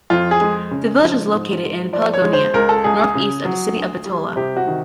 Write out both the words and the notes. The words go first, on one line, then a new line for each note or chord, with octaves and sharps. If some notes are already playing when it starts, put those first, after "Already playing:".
The village is located in Pelagonia, north-east of the city of Bitola.
F2 F4
G#4
G#3
C#3
F3
G#2
G#2
F3 D5
C#5
G#3
C5
C#2 A#4
A4
C#2 G#4
G#4
C#3
F#3
D2
G3
C3 G4
F#4
D#3